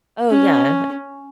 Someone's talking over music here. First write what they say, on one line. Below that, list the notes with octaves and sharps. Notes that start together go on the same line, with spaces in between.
Oh, yeah.
C#4